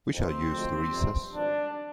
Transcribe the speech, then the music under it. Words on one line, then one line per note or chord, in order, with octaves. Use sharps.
We shall use the recess.
G1 F2 D#3 C4
D2 D3 F3 G#3
G1 F2 C3 G3
G#1 G2 F3 D4